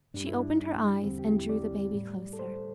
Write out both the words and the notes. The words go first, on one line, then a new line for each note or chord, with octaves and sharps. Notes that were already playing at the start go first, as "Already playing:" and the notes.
She opened her eyes and drew the baby closer.
G2 G3 D4
E4
D4
E2 D3 G3 C4
G4
E4
D5
A2 G3
A4
C5